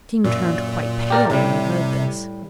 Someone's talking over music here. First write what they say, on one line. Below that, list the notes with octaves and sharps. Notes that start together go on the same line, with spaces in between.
The king turned quite pale when he heard this.
F#2 A#2
G4 A#4 D5
A2 C3 G3